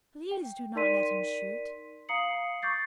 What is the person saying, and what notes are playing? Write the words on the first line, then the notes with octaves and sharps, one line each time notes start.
"Please do not let him shoot!"
G5
D#4 A#4 D5 C6 B6 D#7
F5 A#5 D#6 C7 C#7 F#7
C#6 D6 G6 A6 C7